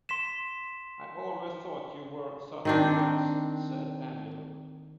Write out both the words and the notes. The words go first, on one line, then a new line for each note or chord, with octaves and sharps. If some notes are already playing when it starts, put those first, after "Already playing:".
"I always thought you were such friends," said Angela.
C6 B6 E7
D#3 C4 D4